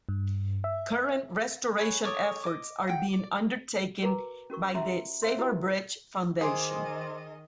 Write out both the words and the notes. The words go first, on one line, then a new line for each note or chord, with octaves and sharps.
Current restoration efforts are being undertaken by the 'Save our Bridge Foundation.
G2
E5
G#4 B4 C#5
A4 C#5 D6 D#6
D#5 D6
F#5 G5
D5
F#4 A#4 B4 A#5 D6
C#4 F#4 A#4 C#6
C#4 F#4 G4 E5 A#5 C6
C5 E5 F5 C6
E4 F#4 G4 A#4 B4
D#3 G#4 C5 D#5 G#5 C6 D6